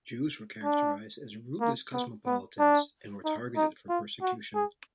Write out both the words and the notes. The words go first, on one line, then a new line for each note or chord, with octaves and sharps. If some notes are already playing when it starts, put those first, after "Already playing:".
Jews were characterized as rootless cosmopolitans and were targeted for persecution.
D4
A#3
B3
B3
D4
D#4
D#4
F4
F#4
G#4